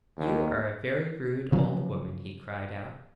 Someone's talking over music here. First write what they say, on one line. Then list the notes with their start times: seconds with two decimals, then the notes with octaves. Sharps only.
'You are a very rude old woman,' he cried out.
0.17 D#2
1.52 C#3 F3 F#3